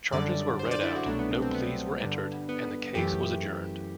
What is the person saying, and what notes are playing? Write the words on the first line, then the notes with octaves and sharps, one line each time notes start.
Charges were read out, no pleas were entered and the case was adjourned.
F#2 D3 G3 D5
C5
D5
E4
F#4
C2 B2 F#3 A3 D4
B3
C4
C4
B3
G2 D3 G3
B3
F#2 E3 A3 G4